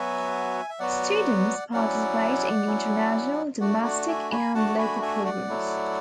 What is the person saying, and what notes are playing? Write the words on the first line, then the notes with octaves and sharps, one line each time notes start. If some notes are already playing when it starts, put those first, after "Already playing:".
Students participate in international, domestic, and local programs.
Already playing: F#3 B3 F#4 E5 G#5
E5
F#3 B3 F#4 D5 F#5
F#3 C#4 E4 D5 F#5
F#3 C#4 E4
A3 D4 F#4 D5 F#5
D5 F#5
E5 G#5
G#5 B5
A3 D4 F#4 F#5 A5
G#5 B5
E5 G#5
D5 F#5
F#3 A3 E4